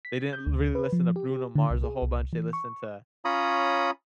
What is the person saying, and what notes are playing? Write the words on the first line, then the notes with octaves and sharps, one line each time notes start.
They didn't really listen to Bruno Mars a whole bunch. They listened to
B6
G6
D2
B4
F3
G4
D3
C2
G#4
C2
E3
C#6
C#4 F4 C#5 A#5 B5 D#6